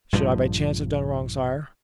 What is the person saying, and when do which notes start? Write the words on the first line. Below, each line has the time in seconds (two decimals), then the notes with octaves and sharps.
"Should I by chance have done wrong, sire?"
0.13 A#1 G2 F3